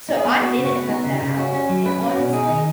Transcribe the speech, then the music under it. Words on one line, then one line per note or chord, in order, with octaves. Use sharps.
So, I didn't have that outlet and honestly,
D#4
G#4
B3
B3 F#4
C#3
F#4
B3
B3 D#4
C#3
D#4
C#3
C#4 F#4
C#4
F#3
C#4 B4
C#4
F#4
B2
D#4 G#4
D#3
D#4